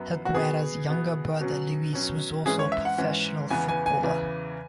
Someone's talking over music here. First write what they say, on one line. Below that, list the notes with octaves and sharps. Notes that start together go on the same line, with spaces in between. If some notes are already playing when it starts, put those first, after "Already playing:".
Helguera's younger brother, Luis, was also a professional footballer.
Already playing: F#2 F#3 B3
F#4
B2 B3 G#4
B2 B3
B2 F#3 C#4
B2 F#3 C#4
G#2 E3 C#4 G#4
C#5
E5
F#5
G#2 E3 C#4
E2 C#3 E3 B3 G#5
G#5
G#5
E2 C#3 E3 B3